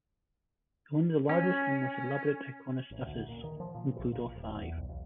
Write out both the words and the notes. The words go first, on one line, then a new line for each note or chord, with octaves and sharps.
Only the largest and most elaborate iconostases include all five.
C#4
A1
D2
A#2
D#3
F3
A#2
A#1
A#2
D#1
E2
B1
B1